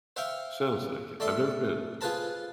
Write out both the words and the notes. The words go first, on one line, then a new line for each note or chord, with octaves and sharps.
sounds like it, I've never been
C5 E5 F5 G5 C#6
A3 D5 E5 C6
F4 G#4 B4 C5 A5 B5